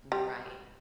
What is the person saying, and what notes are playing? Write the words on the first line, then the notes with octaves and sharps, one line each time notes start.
Mm right.
G3